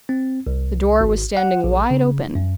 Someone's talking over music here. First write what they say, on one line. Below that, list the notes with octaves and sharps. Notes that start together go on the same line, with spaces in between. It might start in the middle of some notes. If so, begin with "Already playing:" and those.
The door was standing wide open.
C4
C2
G#1
F#5
A#1
C#3
F#2